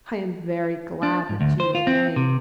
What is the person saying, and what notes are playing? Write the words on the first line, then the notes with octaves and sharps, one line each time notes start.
I am very glad that you obeyed.
D4
G#2
D2
C5
F4
C4
C3